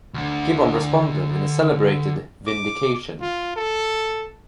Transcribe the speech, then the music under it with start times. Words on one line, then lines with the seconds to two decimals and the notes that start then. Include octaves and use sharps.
Gibbon responded in his celebrated "Vindication".
0.14 D2 D3
2.47 D6
3.21 F4
3.56 A4